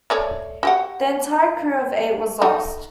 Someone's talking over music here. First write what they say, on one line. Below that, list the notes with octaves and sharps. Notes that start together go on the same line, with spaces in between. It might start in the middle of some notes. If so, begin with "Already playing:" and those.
The entire crew of eight was lost.
A3 C#5 D5
F#4 G4 F#5
A3 D#4